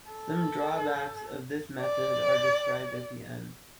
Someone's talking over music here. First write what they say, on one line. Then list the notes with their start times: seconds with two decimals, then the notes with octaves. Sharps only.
Some drawbacks of this method are described at the end.
0.11 A4
1.81 D5